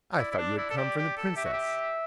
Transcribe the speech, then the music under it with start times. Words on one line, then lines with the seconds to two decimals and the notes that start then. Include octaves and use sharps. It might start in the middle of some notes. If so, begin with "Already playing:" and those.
'I thought you had come from the Princess.
0.17 E4 D5
0.31 E4
0.37 D4
0.58 E4
0.70 A4
0.77 G4
0.97 G4
1.17 A4
1.36 G4 E5
1.45 F#4
1.53 G4